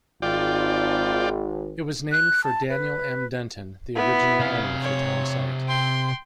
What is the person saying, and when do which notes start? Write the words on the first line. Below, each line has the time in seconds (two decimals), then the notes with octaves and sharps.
It was named for Daniel M. Denton, the original owner of the town site.
0.22 G#1 F4 D5 G5
2.12 F#6
2.44 A5
2.69 B4
3.95 B3 E4
4.40 C3 F5
4.82 C#5
5.68 G5 C6